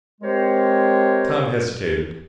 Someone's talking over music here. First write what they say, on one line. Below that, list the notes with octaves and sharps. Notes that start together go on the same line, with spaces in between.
Tom hesitated.
G#3 C4 G4 A#4 C5 C#5